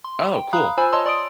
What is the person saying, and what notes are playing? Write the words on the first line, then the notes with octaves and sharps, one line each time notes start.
Oh, cool.
C6
G5
F5 A#5 B5 D#6 F#6
F4 C5 G#5 B5 E6
C#5 D#5 A5 C6 E6
D5 C6 D#6 D7